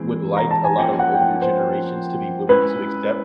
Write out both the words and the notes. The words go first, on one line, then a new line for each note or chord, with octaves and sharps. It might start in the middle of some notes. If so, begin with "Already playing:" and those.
would like a lot of older generations to be willing to accept.
Already playing: E3 G#3 C4
A#5
A5
G#5
F3 A#3 C#4 F#4 G5
F#5
G5
F#5
C5
G#3 C#4 E4 B4